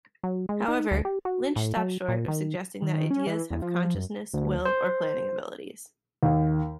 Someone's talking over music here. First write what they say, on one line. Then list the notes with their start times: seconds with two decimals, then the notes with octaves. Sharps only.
However, Lynch stopped short of suggesting that ideas have consciousness, will or planning abilities.
0.23 F#3
0.49 G#3
0.68 D#4
0.91 D2
1.05 G4
1.25 F#4
1.56 A2
1.77 F#3
2.08 A#2
2.28 D#3
2.82 D#3
3.11 C#4
3.27 E3
3.50 E2
3.62 F3
3.95 F#2
4.34 D2
4.65 C5
6.23 D#2